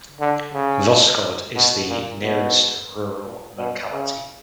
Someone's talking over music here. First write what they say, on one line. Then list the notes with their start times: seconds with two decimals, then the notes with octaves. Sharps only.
Voskhod is the nearest rural locality.
0.20 D3
0.53 C#3
1.55 B2
1.89 A#2
2.23 B2
3.24 A#2
3.58 B2
3.92 C#3